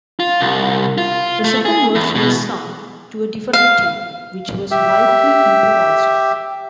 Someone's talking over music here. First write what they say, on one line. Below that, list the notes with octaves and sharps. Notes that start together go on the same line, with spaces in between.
The second verse was sung to a different tune, which was likely improvised.
F4
C2
F4
A3
G#4
E2
B2
F5
G4 E5